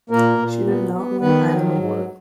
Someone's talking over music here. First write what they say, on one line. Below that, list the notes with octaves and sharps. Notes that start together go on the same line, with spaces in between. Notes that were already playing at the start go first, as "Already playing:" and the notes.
She did not win either award.
A#2 A#3 A#4
A#2
B3
B3
D#3 B3 B4
F#3
G#2